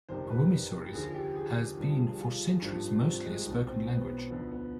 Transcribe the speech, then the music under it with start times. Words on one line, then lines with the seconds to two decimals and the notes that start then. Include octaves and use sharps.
Wymysorys has been for centuries mostly a spoken language.
0.09 G1 F2 C3 D#3 C5
0.30 B4
0.93 D#2 D3 F3 G#4
1.14 G4
1.35 G#4
1.77 G1 G2 F3
2.20 F4
2.62 G#1 G2 F3 D4
3.04 C4
3.25 G#3
3.46 B1 B2
3.67 C4
3.88 B3
4.30 D2 D3 F3 B3
4.51 B3